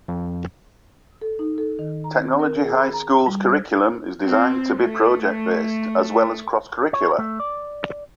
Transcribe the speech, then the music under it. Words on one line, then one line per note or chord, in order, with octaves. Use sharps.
Technology High School's curriculum is designed to be project-based as well as cross-curricular.
F2
A4
D#4
A4
D#3
A#5
C4
A#4
G#4
B5
A#5
G3
C5
C4
A3
C#5
A3
D5